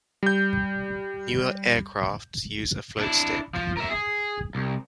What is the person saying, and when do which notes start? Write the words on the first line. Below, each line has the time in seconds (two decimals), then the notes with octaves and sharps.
Newer aircraft use a floatstick.
0.23 G3 G6
3.00 D4 E4
3.55 F3
3.77 A#4 E5
3.90 G#4
4.55 C2